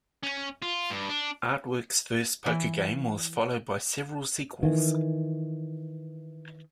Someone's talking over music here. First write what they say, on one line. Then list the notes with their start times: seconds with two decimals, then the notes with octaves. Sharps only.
Artworx's first poker game was followed by several sequels.
0.23 C#4
0.62 F4
0.90 G2
1.09 D4
2.46 E3
4.63 D#3 E3